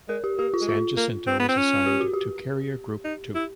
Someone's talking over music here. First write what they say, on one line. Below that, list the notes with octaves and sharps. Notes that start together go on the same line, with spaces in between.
"San Jacinto" was assigned to Carrier Group Two.
G#3 A#4
G4
A#3 G4
F4
G#3
A3 F4
A#3
C4
B3
C4
C#4
G4
F#4
G4
D#4
E4